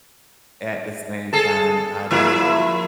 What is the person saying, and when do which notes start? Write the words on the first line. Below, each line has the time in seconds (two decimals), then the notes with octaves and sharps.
At the same time, I don't
1.33 G#4 A4
2.11 F3 A#3 E4